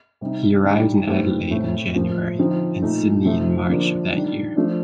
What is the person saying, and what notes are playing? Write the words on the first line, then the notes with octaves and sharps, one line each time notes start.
He arrived in Adelaide in January, and Sydney in March of that year.
C3 G3 C4 D#4
D#3 G3 D4
G2 D#3 A3 C4
A2 A3 C4
A2 F3 A#3
D3 F3 C4 D#4
A#2 A3 D#4
C3 F3 A3 D#4
D3 F3 A#3 D4
D#3 G3 D4
F3 A3 D4